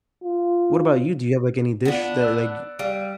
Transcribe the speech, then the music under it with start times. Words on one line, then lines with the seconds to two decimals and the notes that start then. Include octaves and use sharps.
What about you? Do you have, like, any dish that, like,
0.24 F4
1.85 B3 D4 F4 F#5
2.20 D5 E6 F#6 E7
2.79 G3 F5 D7